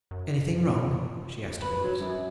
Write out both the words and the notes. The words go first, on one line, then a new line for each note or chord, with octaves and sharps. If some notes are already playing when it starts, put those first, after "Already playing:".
"Anything wrong?" she asked at once.
F#2
B4
F#3
F#2